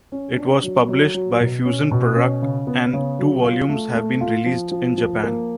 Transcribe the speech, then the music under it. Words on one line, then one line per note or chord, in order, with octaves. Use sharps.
It was published by Fusion Product and two volumes have been released in Japan.
C#4
D4
F#3
F#3
F#3
B2
C#4
B2
C#4
C#3
B3
C#3
F#3
F4
A3
A3
F4
F3
F3
F3
A#3